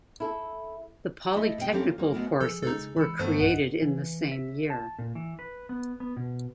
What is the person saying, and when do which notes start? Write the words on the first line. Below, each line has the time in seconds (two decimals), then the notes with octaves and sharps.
The polytechnical courses were created in the same year.
0.20 E4 A4
1.35 A3 E4 D#5 E5
1.58 B2 G5
1.72 A#3 C4 C#4 E4 G4 A4
1.84 F4
1.98 G3 A#3
2.12 G#3 A3 B3 E4 F#4 A#4
2.41 F3 G#4 A4
2.62 C#3 G#3 D#4 A4 A6
2.96 E3 G#3 B5 E6 C#7
3.19 G2 D#3 A3 B3 C5
3.39 A#1 F#2 D#5 F#5
3.82 E3
4.32 E5
4.70 A5
4.99 A#2
5.15 E3
5.39 B4
5.69 B3
6.00 B3
6.17 B2